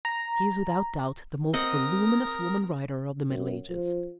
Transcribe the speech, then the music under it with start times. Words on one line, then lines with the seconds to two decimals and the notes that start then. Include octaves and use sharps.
She is without doubt the most voluminous woman writer of the Middle Ages.
0.05 A#5
1.53 C4 A#4 D#5 F#5 D#6
3.30 F#2
3.70 F3